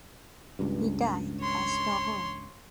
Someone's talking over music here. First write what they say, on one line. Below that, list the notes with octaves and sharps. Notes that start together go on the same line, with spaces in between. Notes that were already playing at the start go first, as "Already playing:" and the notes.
He died at Stockholm.
C#2 G2
C#5 C6